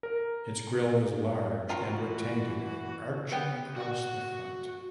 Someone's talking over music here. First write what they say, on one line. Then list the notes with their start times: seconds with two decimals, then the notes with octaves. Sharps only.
Its grille was large and rectangular arching across the front.
0.03 A#4
1.69 E3 F4 F#4 A#5
3.32 B3 G4
3.76 F#4 F#5